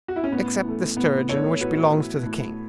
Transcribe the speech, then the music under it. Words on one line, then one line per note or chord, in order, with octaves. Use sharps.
"Except the sturgeon, which belongs to the king."
F#4
E4
C#4
A2 B3
E3 A3
A2 B3
E3 A3 A4 C#5
A2 F#4 B4
E3 A3
A2